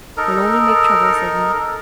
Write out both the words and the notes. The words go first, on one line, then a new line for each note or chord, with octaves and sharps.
You'll only make trouble, Sidney.'
D#4 A4 A#4